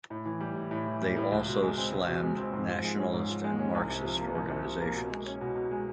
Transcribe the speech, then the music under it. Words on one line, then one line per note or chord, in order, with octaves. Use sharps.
They also slammed nationalist and Marxist organizations.
A2
E3
G3
A2
A2
E3
G3
A2
C#2
B2
G#3
C4
C#2
B2
G#3
C4
G#2
F3
G#3
C#4
G#2
F3
G#3
C#4
C2
C3
F3
A#3
C2
C3
F3
A#3
B2
G#3
C#4
B2
B2
G#3